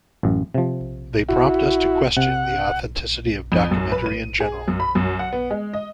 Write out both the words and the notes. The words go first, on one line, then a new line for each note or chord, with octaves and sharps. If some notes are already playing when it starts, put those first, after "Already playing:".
They prompt us to question the authenticity of documentary in general.
A1 F#2
C3 F3
E4 F#4
C3 F#5
F2
F#2
B4
D#7
G#4
F#2
B5
F#2
F#5
B3
G#3
D#5